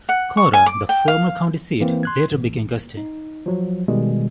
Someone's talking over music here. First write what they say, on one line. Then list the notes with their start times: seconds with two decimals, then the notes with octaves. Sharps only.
Cora, the former county seat, later became Gustine.
0.09 F#5
0.37 C#6
0.53 G#5
0.66 D6
0.89 G5
1.08 F5
1.80 E3 A#3 C4
2.03 C6 F#6 G#6
2.32 A1
2.97 D#4
3.46 F3 F#3
3.88 B2 D#3 G3 G#3